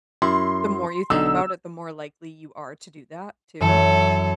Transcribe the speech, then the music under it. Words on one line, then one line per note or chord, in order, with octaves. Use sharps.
the more you think about it, the more likely you are to do that, too.
F#2 E4 C6
B1 D3 D#4 E6
F#2 E3 A4 C#5